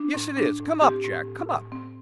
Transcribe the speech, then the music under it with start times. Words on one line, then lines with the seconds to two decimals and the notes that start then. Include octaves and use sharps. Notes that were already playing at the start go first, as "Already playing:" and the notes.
Yes, it is. Come up, Jack; come up.'
Already playing: D4
0.14 A2
0.37 D4
0.59 A2
0.81 C4 G4
1.04 A2
1.27 A2
1.49 A2
1.72 C4